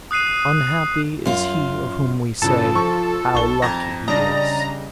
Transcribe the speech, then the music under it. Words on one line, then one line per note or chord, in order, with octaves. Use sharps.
Unhappy is he of whom we say, how lucky he is!
D#6 F#6 C7 D#7
F#2 F4
G2 C#3 E3 F4 A4
F3 C#6
B1 C#6 G7
F2 A5 A#5 G#6 A#6
C#3 G3 D4 D5 D#5 A#5